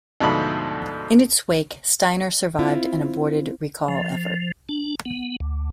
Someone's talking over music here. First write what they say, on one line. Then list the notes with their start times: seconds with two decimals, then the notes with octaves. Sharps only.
In its wake, Steiner survived an aborted recall effort.
0.20 D2 G#2 B2 F3 A3 B5
2.59 C4 E4 F4
3.88 F3
4.69 D4
5.05 B3
5.40 D2